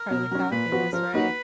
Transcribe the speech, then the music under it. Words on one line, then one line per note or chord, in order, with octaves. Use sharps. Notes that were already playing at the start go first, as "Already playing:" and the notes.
part of the calculus, right.
Already playing: A#4
B2
F#3 C#4
A#2 B4
F3 B3 F#4
F3 A#4
A#3 D#4 F#4 B4